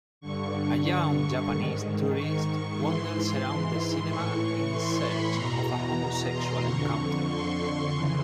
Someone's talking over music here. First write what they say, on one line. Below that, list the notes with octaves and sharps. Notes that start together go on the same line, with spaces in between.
A young Japanese tourist wanders around the cinema in search of a homosexual encounter.
G2 D3 C#6
G#2 D#3
C#6
G#2 E3 C6
A2 E3 C#6
C#6
C6
B5
E2 B2 A#5
A#5
A#5
C6
F2 D3 C#6
C6
F2 C#3 E3